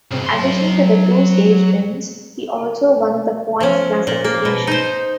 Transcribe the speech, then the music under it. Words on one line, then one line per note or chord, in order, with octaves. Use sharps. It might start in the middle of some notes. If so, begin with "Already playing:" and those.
In addition to the two stage wins, he also won the points classification.
C2 G#2
F#3 C6
F3 C#4
A#2
A#3
B2
D#4 C5